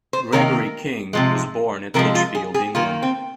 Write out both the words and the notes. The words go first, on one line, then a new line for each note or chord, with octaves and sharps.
Gregory King was born at Lichfield, England.
C5
C3 D#3 A#3 A#4
C3 F3 G#3
C3 F3 G#3 A#4
F4
G#4
G#4
D#3 A#3 F4
C4